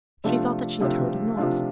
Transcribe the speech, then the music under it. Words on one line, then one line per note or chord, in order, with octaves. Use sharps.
She thought that she had heard a noise.
C3 F3 A3 D4 F4
C3 F3 A3 D4 F4
C3 F3 A3 D4 F4